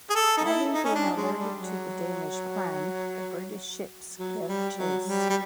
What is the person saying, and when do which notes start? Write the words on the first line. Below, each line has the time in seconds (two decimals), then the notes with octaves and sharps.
Having been alerted to the Danish plan, the British ships give chase.
0.10 G#4
0.15 A4
0.37 D#4
0.45 E4
0.74 D#4
0.84 C#4
0.95 D4
1.16 G#3
1.38 G3
1.60 F#3
4.19 F#3
4.41 F#3
4.48 G3
4.77 F#3
5.06 G3
5.29 G3